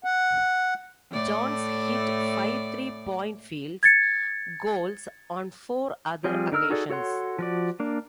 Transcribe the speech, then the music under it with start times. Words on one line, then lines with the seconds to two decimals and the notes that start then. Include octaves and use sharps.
Jones hit five three-point field goals on four other occasions.
0.04 F#5
1.11 A2 A3 D5
3.83 G#6 A6 C#7
6.24 F3 G3 C4 G#4
6.52 D3 D#4 A#4 E6 F6
6.70 D#4 F#4 G#4 A4 D5
6.90 F#4 A4 C#5 F#5 C6
7.39 F3 F#4 D5
7.80 A#3 D4